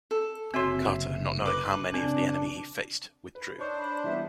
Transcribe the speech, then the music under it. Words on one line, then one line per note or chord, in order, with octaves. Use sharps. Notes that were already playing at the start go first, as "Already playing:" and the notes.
Carter, not knowing how many of the enemy he faced, withdrew.
A4
F#1 C3 C4 F#4 C#5 E5 C6
D#4 B4 D6
C#3 C4 D4
B4
D4 D#4 C5 C#5 C#6
B5
E3 G3 B3 E5